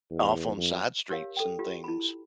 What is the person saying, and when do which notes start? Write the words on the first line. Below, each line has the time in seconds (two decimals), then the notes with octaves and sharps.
off on side streets and things,
0.10 E2
0.57 F2
1.10 G4 A#4 C#5 F5
1.37 A4 G5
1.59 F4 G4
1.84 E4 B5